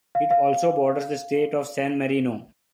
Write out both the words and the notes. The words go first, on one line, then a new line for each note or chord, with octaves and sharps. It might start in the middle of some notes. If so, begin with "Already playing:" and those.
It also borders the state of San Marino.
F5
F5